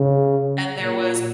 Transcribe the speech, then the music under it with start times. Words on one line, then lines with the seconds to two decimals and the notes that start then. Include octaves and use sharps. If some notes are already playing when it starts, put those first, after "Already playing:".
and there was
Already playing: C#3
0.77 A#2